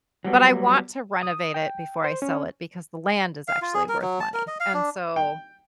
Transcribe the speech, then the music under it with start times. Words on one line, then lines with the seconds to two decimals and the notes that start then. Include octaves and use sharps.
but I want to renovate it before I sell it, because the land is actually worth money, and so,
0.25 F#3 G3 B3
1.23 D#6
1.54 G5
2.04 C5
2.22 C#4
3.48 F5
3.62 F4
3.74 G#4
3.89 A#4
4.02 F#3
4.20 A5
4.34 A#4
4.48 D#5
4.60 F5
4.74 D4
5.16 G5